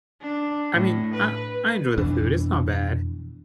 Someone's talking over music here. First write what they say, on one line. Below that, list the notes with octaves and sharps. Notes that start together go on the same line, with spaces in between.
I mean, I I enjoy the food, it's not bad,
D4
A2
B4
F2 B2 E3 D4